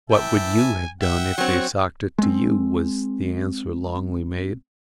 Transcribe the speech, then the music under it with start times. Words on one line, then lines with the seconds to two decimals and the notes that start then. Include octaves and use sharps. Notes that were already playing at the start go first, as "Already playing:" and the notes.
"What would you have done if they'd socked it to you?" was the answer Longley made.
0.10 E3 E5 G5 A5
0.58 G#5
1.01 E5 F#5 G5
1.38 F#3 C4 C#6
2.18 G#3 C4